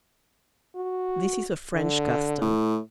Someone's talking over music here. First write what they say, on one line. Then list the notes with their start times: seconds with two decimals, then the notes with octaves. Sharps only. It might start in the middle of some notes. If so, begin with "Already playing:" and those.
This is a French custom.
0.76 F#4
1.75 D3
2.41 A2